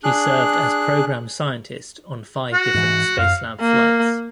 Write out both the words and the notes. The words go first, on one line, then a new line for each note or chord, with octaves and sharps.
He served as Program Scientist on five different Spacelab flights.
D4 G#4 F#6
F#4
G#2 E3
F#2 F5
A#3